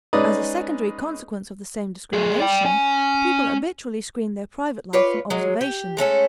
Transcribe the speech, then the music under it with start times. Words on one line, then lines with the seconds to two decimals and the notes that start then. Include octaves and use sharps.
As a secondary consequence of the same discrimination, people habitually screen their private life from observation.
0.13 G#3 C#4 D#4 B4 D5 D#6
2.13 A3 G#4
2.40 D5 G5
2.65 C#4 G#5
4.93 F4 B4 C#5 D5
5.30 F#3 G#3
5.61 G4
5.97 G#3 A3 C#4 A4